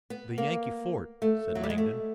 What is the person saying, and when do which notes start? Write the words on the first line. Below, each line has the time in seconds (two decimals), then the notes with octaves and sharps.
"The Yankee fort," said Langdon.
0.10 B3
0.38 A#3
1.22 A3
1.55 F#3
1.63 G3
1.70 G#3
1.78 A3